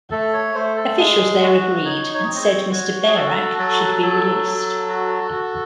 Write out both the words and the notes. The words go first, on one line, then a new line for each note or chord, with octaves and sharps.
Officials there agreed, and said Mr. Bearak should be released.
A3 A4
C#5
A3 C5
A4
G#3 G#4
F#4
D#4 C#5
C#5
C4
D#5
C#5
F#4 C#5
G#4
F#4 A4
F#3 A4
F#3 A4
F#3
F#4
F#4